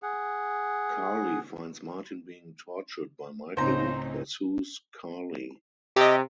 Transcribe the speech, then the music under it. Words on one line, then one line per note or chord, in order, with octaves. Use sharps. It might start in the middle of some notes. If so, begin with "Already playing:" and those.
Carly finds Martin being tortured by Michael who pursues Carly.
G#4 F#5
C#2 A2 C4 C#4 D#4 C5 A#5
C3 G4 D#5